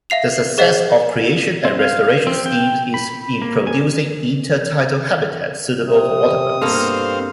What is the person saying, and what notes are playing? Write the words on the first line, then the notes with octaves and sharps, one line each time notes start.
The success of creation and restoration schemes in producing intertidal habitat suitable for waterbirds.
E5 F5 C7 F7
G#4 C5 D#5 F5 F#5
C4
F5
C4
G5
B5
A#3
G#5
C3 D#6
G2 B2 A#3 C4 A4 F5